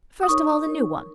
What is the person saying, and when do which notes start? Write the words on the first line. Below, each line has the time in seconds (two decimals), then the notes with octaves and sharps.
"First of all, the new one."
0.23 D#6
0.28 D#4 A#4 C#5 C#6
0.67 D#4 A#4 C#5